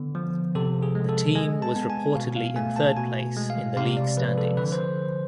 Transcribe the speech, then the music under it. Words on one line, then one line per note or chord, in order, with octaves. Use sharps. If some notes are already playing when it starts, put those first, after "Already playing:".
The team was reportedly in third place in the league standings.
Already playing: D3 B3
F3
C3 A4
G#4
G#3
A4
G#3 G#5
A5
B3
G#5
B2 F5
F5
A3 G#5
A5
B2 G#5
G#3
F5
C3 F5
D5
F3 B4
A4
D3 B4
C5